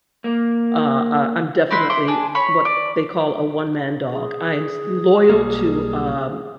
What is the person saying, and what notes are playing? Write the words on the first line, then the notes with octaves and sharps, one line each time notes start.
uh, uh, I'm definitely what they call a one-man dog, I am s loyal to, um,
A#3
D#4 E4 B4 C6
E4 C6 D6
D4 G#4
C#5 B5
D5
G#4
B1 G3 A#3